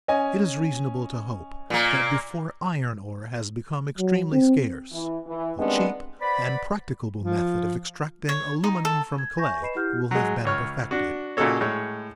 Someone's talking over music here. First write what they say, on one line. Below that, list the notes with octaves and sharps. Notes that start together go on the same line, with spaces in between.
It is reasonable to hope that before iron ore has become extremely scarce, a cheap and practicable method of extracting aluminium from clay will have been perfected.
C#4 D#5 G#5
A#2 A#3
F#3
C4
E3
E3
D#3 G3 G#3 B3 C4 D4
B4 C5 D5 F#5 B5
F3
C#5
D#4
A4
G#6
E5 G#5 C#6 G6 A#6
B4 D#5 B5 C7 E7
E4 G4 F#5 F6 G6
F#3 G#3
C#2 C#5 F6
D4 F#4
A#2 C#3 D#4 F#4 A4 C#5
A2 G#3 C#5